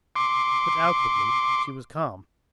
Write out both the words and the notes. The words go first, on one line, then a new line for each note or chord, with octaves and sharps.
But outwardly she was calm.
C6 D6